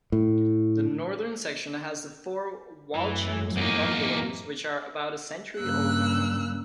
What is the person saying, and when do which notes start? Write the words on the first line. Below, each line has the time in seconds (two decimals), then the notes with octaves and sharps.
The Northern Section has the four Walchand Bungalows, which are about a century old.
0.12 A2
2.95 F#2 A2 E3
3.57 E2 A#3 D#4
5.58 G2 C#3 A#3 E6 F#6